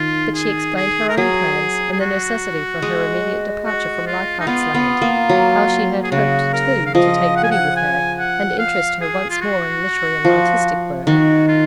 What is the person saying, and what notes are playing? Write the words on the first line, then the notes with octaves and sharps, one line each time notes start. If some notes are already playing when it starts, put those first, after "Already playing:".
But she explained her own plans and the necessity for her immediate departure from Leichardt's Land--how she had hoped, too, to take Biddy with her and interest her once more in literary and artistic work.
Already playing: D#3 F4
G#4
G#4
A#4
F#3 G#4
G#4
F#4
G#3
F#4
F4
D#4
B3 F4
B3
A#3
F#3
G#4
C#3 F#4
A#4
F5
F3 D#5
F#5
G#5
F#5
G#5
F#5
F5
G#4
F4
F#4
F3
D#3 F#4
F4